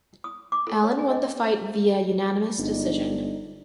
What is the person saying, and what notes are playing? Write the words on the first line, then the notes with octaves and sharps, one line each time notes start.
Allen won the fight via unanimous decision.
D#6
D6
A4
C#5
G#5
D#5
G1 D4 D#4